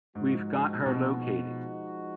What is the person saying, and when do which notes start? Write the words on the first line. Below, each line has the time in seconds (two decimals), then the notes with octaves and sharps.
We've got her located.
0.15 G#2 F3 G#3 D#4 F#4
0.86 B2